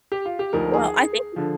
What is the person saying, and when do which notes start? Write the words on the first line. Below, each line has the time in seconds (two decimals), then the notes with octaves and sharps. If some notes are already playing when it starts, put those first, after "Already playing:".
Well, I think
0.12 G4
0.26 F4
0.39 G4
0.53 D2 D3 F3 A#3 D#4 A#4
0.74 G#4
1.36 D3 F3